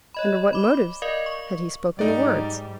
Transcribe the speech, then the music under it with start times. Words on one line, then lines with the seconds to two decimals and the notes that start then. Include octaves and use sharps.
Under what motives had he spoken the words?
0.14 C#5 D#5 B5
0.53 B5 D6
1.02 A#4 D5 D#5 F5
1.26 C#6
1.99 G#2 G3 D#4 D5